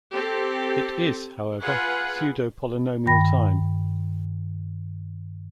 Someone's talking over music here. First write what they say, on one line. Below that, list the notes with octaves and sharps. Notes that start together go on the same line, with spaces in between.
It "is", however, pseudo-polynomial time.
C4 G4 A4
F4 G#4 B4 F#5
G2 D#3 G5 B5 A#6